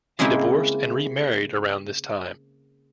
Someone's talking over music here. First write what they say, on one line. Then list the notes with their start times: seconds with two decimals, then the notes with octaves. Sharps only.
He divorced and remarried around this time.
0.19 C#3 G#3 A#3 C4 E4 G5